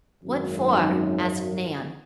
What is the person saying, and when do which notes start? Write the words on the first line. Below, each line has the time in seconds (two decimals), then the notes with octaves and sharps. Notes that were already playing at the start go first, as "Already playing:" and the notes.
"What for?" asked Nan.
0.24 G#1 F#2